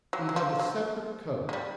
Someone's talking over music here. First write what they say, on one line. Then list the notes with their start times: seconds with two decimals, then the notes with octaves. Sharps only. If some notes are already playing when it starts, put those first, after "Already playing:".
He had a separate coach.
0.13 F#3
0.29 F#3
0.36 F3
0.59 F#3
1.49 G#3
1.53 G3